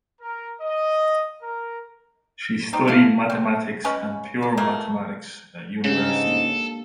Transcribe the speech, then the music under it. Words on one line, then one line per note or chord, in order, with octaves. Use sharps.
She studied mathematics and pure mathematics at university.
A#4
D#5
A#4
C4 D#4 D5
E4 A4 F5
C4
C#3 G#3 C#4 B4
D5
E3 A3 A#3
G#2 C#3 G#3 D4 G4 A4
A#3